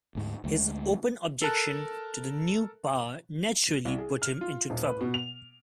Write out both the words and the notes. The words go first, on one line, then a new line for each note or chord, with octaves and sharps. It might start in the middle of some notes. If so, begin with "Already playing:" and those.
His open objection to the new power naturally put him into trouble.
D2 G#2
D2 G3 G#3
A4 A#4 A5 F#6
C2
G#4
F6
F4
D#1
B4
B2
F7